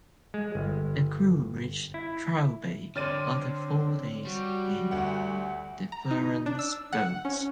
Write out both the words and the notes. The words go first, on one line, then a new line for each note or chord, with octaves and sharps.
The crew reached Trial Bay after four days in "Deveron"s boats.
G#3
G1
E4
D3 C4 C#5 D5 C6 F6 A6 D#7
G3 F#4
D2 F#5
A#5
D#4
D4
E6
F#5
C#4